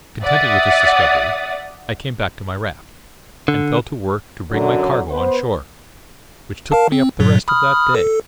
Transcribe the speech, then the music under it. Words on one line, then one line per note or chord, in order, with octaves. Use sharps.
Contented with this discovery, I came back to my raft, and fell to work to bring my cargo on shore, which took me up the rest of that day.
D5 E5 F#5 D#6 A6
D3
F#2 D3 F#3
B3 B4 C5
A#4 F5 A5
C4
G2 A#2 F#3
B5 D#6 F6
A4